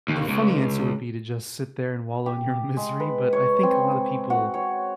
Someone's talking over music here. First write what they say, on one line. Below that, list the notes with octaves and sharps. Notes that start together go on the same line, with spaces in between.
the funny answer would be to just sit there and wallow in your misery, but I think a lotta people
D#2
C#2
G4
G#3
B4
C#5
C4
F#4
C#5